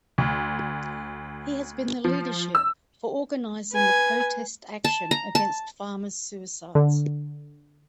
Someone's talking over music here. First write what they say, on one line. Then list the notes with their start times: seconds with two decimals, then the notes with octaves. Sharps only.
He has been the leadership for organising the protest action against farmers suicides.
0.18 D2
2.04 F3
2.55 E6
3.73 B4 G#5
4.85 A5
5.11 A#5
5.35 A5
6.75 D3